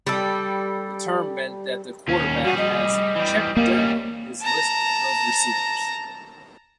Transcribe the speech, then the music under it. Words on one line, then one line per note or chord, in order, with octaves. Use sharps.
The term means that the quarterback has "checked down" his list of receivers.
G3 A4
D#2 C#4
G3 F#4 G#4
D#5
E3 G3
G3 A#3 C#4
A5 A#5